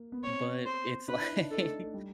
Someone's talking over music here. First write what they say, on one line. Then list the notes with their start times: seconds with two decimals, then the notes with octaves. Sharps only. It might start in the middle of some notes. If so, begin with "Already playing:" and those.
But it's like,
Already playing: A#3
0.12 B3
0.23 C4 C#5
0.66 C5
1.08 D4 B4
1.20 E4
1.30 D#4
1.41 D4
1.51 D#4 A4
1.62 A3
1.73 A3
1.83 A3
1.94 G3